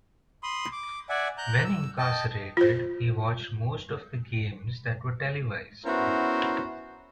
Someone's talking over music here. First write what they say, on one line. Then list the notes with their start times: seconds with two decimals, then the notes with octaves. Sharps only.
While incarcerated, he watched most of the games that were televised.
0.43 B5 C6 D#6
0.72 D6
1.09 D5 E5 F#5 G#5
1.38 A#5 F#6 G6
1.65 E6
1.98 D#5 G5 A5
2.57 F4 C5
5.85 B3 C#4 E4 F#4 A#4 C5